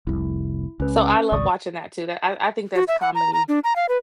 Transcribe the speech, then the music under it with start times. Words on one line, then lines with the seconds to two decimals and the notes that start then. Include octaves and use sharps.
So, I love watching that too that I I think that's comedy.
0.07 F1 C2 E4
0.80 C#2 C#4 B4
1.32 G#1 C#2 D5 C#6 D#6
2.75 F#4
2.88 E5
3.01 F#5
3.15 A#5
3.33 A#5
3.48 D4
3.64 A#5
3.76 F5
3.89 B4